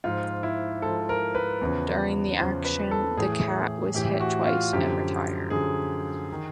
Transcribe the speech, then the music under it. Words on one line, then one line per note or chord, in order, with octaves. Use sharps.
During the action, the 'Cat' was hit twice and retired.
G#2 F3 F4
E4
G#2 F3 A4
A#4
B4
E2 C#3 F3
E2 C#3 F3 C5
B4
A4
A2 E3 G#4
A2 E3 G4
F#4
F4
F#2 D3 F3 G4
F#2 D3 F3 G#4
D#3